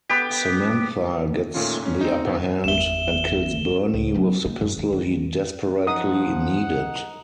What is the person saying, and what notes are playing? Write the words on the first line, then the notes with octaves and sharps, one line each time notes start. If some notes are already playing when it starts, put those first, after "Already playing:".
Samantha gets the upper hand and kills Bernie with the pistol he desperately needed.
B3 G4
A#2 D#3 A3 C#4 F4
G#2 C#4
C4 D#4
D#3 E3 B3 C4
G1 E2 E5 E7 G7
C#2
F#3 B3
A#3 D#4
F#2
D#2
D#3
F3 D#4 F#5 D#6